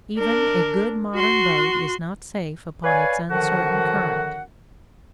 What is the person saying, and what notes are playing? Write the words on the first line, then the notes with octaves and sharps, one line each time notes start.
Even a good modern boat is not safe upon its uncertain current.
D4 A#4
F#4 C6
B4 C#5 D5 F5 G#5
F#2 D3 D#3 F3 F#4 F#5